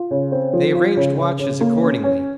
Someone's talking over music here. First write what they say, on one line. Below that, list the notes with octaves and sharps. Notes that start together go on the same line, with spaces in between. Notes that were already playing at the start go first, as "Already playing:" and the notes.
They arranged watches accordingly.
Already playing: F4
C#3
C4
F3
F4
C#3
C#3
C#3
A#3
C#4
C#4